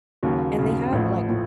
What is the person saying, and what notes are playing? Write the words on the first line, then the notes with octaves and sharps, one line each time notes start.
and they have, like,
D#2 C#3 F#3
D#2 C#3 F#3
A1 A2 F3
A2 F3